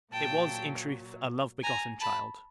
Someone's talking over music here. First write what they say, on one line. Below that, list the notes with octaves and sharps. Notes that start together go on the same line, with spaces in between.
It was, in truth, a love-begotten child!
A#2 F#3 G5 A5
G#5 A#5
A5 B5